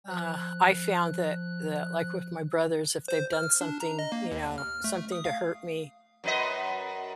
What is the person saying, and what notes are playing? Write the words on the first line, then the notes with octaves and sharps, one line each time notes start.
uh, I found that that, like, with my brothers, if they've done something, you know, something to hurt me,
F3 F#6
C5
F6
D4
A#5
D#5
A#3
D#2
F6
A3
D#6
F5
F#2 B4 D#5